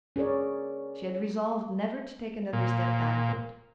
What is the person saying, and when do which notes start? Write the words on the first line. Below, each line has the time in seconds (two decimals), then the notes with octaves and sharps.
She had resolved never to take another step backward.
0.16 C#4 G#4 A#4 C#5 D5
2.53 A#2